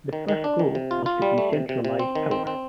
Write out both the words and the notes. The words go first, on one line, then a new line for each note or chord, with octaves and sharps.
The first goal was to decentralise power.
D#3
D#3
D4
D#3
C3
F4
F4
G3
A3
C3
C3
C3
C4
D#3
C4
C4